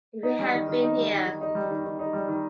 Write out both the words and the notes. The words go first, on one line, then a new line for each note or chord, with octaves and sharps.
If he had been here.
D#4
G3
D#3
D#3
D#4
G3
D#3
D#3
D#4
G3
D#3
D#3
D#4
G3
D#3